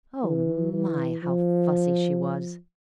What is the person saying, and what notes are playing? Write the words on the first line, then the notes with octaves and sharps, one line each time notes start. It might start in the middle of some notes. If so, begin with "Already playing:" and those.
Oh my, how fussy she was!
E3
E3
F3